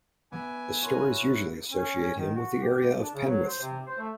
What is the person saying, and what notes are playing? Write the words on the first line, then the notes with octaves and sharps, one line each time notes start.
The stories usually associate him with the area of Penwith.
B3 B4 E5 G#5 D6
C#4 E4 F#4 A#4 C6 D#7
C#4
C#4
D#3
F#4
G4
D4
C#3
F#3
C5
C3
C5
A3